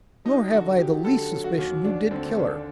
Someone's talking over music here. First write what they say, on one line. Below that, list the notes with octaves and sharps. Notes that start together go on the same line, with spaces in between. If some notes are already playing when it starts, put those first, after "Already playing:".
Nor have I the least suspicion who did kill her.
F#3 D#4
D#4
D3 F#4
F#3 G4
D3 A4
F#3
F#4
D#2
D#2 D4
D3 C4
D#2 D4